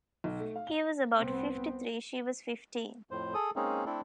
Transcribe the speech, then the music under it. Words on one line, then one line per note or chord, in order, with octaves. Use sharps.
He was about fifty-three; she was fifteen.
B1
A3
F5
G7
C2 B3 C4
F2 A2 C5
G#4 A4 D#6
G#3 A#3 C4 C#4 D#4 G#4
A3 C4 D4 E4 A4